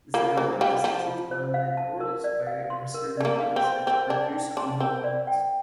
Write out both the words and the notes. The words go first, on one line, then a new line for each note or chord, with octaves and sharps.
There are vendors that violate rules by reselling products at Producer Only markets.
A#3 F4
A#3 C5
G3 F5
F3 A5
F4
C5
F5
A5
A#4
D5
F5
C6
A#4
A3 D5
A#3
F5
C4
C6
C4 A#4
D4 D5
G5
D4 C6
C4 A#4
D5
G5